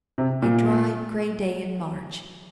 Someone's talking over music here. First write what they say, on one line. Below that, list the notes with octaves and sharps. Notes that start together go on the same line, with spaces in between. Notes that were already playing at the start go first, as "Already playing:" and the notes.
A dry, grey day in March.
C3
A#2